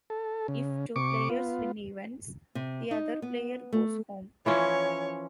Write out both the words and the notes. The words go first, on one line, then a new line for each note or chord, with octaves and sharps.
If two players win events, the other player goes home.
A4
C#3
C3 C#6 D6
B3 F4
C3
D#4
B3
A3
E3 F3 C#4 C#5